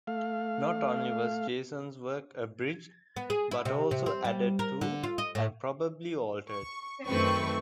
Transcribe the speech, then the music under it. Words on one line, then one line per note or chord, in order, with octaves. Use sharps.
Not only was Jason's work abridged, but also added to, and probably altered.
A3 F5
B3
G#4
E4
C3
C3
C4
G3
A#4
D3
F4
D#5
A2
C#6
F#2 D#3 A3 C4 B4 C#6